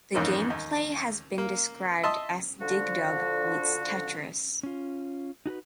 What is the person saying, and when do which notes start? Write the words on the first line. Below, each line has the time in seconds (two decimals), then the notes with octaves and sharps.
The gameplay has been described as Dig Dug meets Tetris.
0.14 F2 G#2 E3 A#3 C#4
0.50 D#2
1.38 A#3
2.03 D#5 E5 A5 C6 E6
2.61 D3 F3 F#4
4.63 C#4 F4
5.46 D#4 F#4 A4 B4